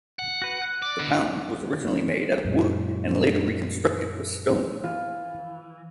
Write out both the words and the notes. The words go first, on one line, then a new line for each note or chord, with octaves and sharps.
The pound was originally made out of wood and later reconstructed with stone.
F#5
F#4 B4
F#6
D5
D3 B3 D#4 E4
F#2 A#2 G#3
E3 F4